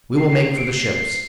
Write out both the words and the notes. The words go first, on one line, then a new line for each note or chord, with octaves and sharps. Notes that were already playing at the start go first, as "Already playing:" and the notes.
We will make for the ships.
C7
C7
D7
C7
C7